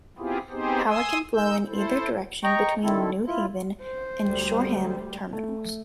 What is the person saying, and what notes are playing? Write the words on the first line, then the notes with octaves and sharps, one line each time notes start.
Power can flow in either direction between New Haven and Shoreham terminals.
B3 C4 E4 F4 G4 G#4
B3 C4 D#4 G4 G#4 C5
G#5 C6 D#6 E6
D#4 E6 G6
E4 A4 C5
D#5 G5 A#5 C#6
D3 D#3 C4 E4 A4
E4 F4
C5
D2 G3
A3